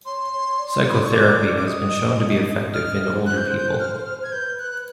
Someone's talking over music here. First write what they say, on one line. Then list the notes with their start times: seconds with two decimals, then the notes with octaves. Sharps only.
Psychotherapy has been shown to be effective in older people.
0.06 C#5 C6
0.33 C#5
0.59 D5
0.90 B5
0.98 C6
1.05 C#6
1.13 D6
1.58 D6
1.66 D#5 D#6
2.73 D#5 F6
3.08 C5
3.22 B4
3.25 C5 F#6
3.37 G6
3.47 F#6
3.58 G6
3.68 F#6
3.79 F6
4.24 G#6
4.32 B4 G6
4.59 F#6